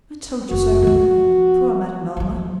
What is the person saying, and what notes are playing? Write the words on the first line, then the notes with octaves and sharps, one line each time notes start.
I told you so. Poor Madame Velma!
F#1 F#4
F3 B3
E3 F#3